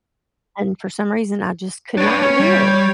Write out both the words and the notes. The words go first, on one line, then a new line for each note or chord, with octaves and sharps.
and for some reason, I just could not do it,
D4 B4 C#5
C#4
G3